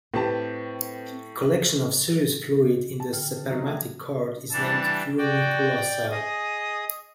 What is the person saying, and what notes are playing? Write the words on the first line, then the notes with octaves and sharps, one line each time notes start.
A collection of serous fluid in the spermatic cord is named 'funiculocele'.
A2 C4 G4 B4 A5
A5
D3 G5 F6
F#3 D#4
A3 E5 G#6
E3 G3 D4 A5
F#4 D5 G5
G#4 D#5 D#6